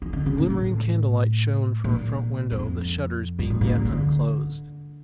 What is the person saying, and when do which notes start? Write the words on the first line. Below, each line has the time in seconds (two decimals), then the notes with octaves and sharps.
A glimmering candlelight shone from a front window, the shutters being yet unclosed.
0.02 E3
0.13 D3
0.26 C#3
0.38 A#2
0.50 A2
1.84 A#2
2.52 F2
3.39 G2
3.50 A2
3.61 A#2
3.74 C#3
3.85 D3